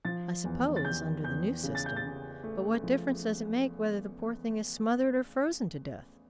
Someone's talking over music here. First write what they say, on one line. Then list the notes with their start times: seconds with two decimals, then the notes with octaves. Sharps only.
I suppose, under the new system, but what difference does it make whether the poor thing is smothered or frozen to death?
0.05 F3 A6
0.45 E2
0.76 A6
0.84 E2 G6
1.24 E2 G6
1.63 C#3
1.75 A6
1.86 G6
1.96 A6
2.04 C#3
2.43 A3
2.84 F3